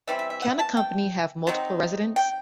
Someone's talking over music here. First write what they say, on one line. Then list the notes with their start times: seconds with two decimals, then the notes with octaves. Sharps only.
Can a company have multiple residence?
0.07 E3 G3 C4 E4 E5
0.19 E5
0.30 E5
0.42 F#5
0.59 A5
0.77 G5
1.47 D#3 F#3 C4 D#4
2.16 G5